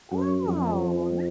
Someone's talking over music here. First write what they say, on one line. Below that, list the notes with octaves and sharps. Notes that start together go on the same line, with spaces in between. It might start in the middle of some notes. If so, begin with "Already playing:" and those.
Oh, nice.
F#2
F2